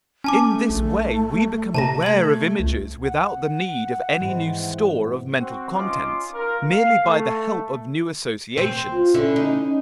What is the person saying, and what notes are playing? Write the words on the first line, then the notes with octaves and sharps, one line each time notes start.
In this way we become aware of images without the need of any new store of mental contents, merely by the help of new associations.
C#4 G#5 A5 D6
A3
A#1
C3 A5 A#5 A#6
A3 G#6 F#7
C#2
F#5
G#2 E3 C4
C4 F#4
C#4 D#4 F4 C6 D6
F4 A#4
F5
A3
C4
F4
D3 C#4 E4
D#4